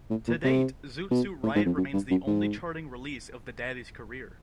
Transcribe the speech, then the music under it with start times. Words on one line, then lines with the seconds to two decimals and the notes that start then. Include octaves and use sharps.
To date, "Zoot Suit Riot" remains the only charting release of the Daddies' career.
0.10 A2
0.28 A#2
0.44 C3
1.11 B2
1.43 A2
1.55 G#2
1.66 F2
1.77 F#2
1.93 G2
2.11 F#2
2.27 G#2